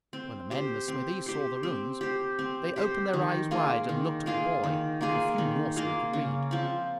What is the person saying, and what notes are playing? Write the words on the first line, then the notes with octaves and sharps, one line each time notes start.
When the men in the smithy saw the runes they opened their eyes wide and looked at the boy, for few Norsemen could read.
C4
G4 C5
C4
G4 C5
C4
G4 C5
C4
G4 C5
D#3
A#3 F4 G#4
D#3
A#3 F4 G#4
D#3
A#3 F4 G#4
D#3
A#3 F4 G#4
C#3
F3 C4